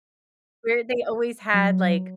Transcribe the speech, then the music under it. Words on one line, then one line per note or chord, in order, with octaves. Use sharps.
Where they always had, like,
F#3